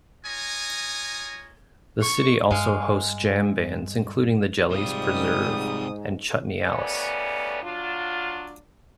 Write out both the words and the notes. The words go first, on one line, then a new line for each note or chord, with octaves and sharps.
The city also hosts jam bands, including the Jellies, Preserve, and Chutney Alice.
F4 C#5 D#5 G#5 A#5 D#6
C#6
G2 G#3 F5
G#2 C3 G3 F4 D#6
D#2 C#3 A3 B3 C#4 D5
F#3 D4 F4